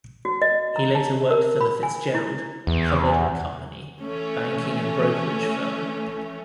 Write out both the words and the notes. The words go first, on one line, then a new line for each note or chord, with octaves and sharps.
He later worked for the Fitzgerald, Hubbard and Company banking and brokerage firm.
F#4
D#5
A#5
A5
A#4
B5
G#5
E4
E2
E3 A3 C#4